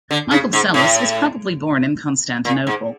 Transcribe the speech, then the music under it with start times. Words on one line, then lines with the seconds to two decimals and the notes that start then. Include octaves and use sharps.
Michael Psellos was probably born in Constantinople.
0.11 D3
0.31 C#3
0.53 G#2
0.74 A2
2.45 A#2
2.67 G#2